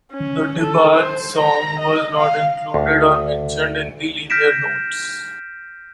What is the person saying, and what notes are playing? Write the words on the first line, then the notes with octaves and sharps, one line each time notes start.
The DeBarge song was not included or mentioned in the liner notes.
C#4
A4
C5
A#5
D#5
F5
D2
F6 G6 A#6 B6 D7 E7